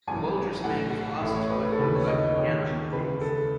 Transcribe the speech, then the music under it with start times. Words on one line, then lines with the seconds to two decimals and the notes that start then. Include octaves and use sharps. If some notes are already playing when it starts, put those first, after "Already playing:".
A well dressed man with glasses working with an open piano.
0.07 G#1 F#2 E3 G#5
0.64 B1 A2 E3 F#5
1.21 A1 A2 E3 E5
1.36 C#5
1.50 B4
1.72 A4
1.79 D#2 C#3 E3 B4
1.95 C#5
2.07 D#5
2.35 E1 D#2 D#3 C#5
2.93 C#2 C#3 E3 B4
3.21 A4